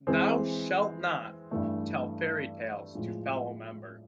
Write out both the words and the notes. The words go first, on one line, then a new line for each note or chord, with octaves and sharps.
Thou shalt not tell fairy tales to fellow members.
E3 G#3 C4
G2 E3 A3
A2 F3 G#3